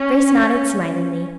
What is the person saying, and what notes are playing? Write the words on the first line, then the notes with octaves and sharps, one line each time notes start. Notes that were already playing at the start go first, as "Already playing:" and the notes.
Grace nodded smilingly.
Already playing: C#4